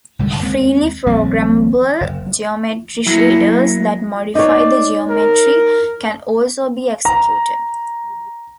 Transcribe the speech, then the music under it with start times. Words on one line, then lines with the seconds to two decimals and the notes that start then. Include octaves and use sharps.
Freely programmable geometry shaders that modify the geometry can also be executed.
0.19 C2 G#2 D3 G3
0.42 D#2 G#3 C4
1.06 D#1 A#1 G3 C4
2.01 F#1
3.06 F#3 A#3 E4
4.35 D#4 C#5 D5
5.10 A#4
7.05 A#5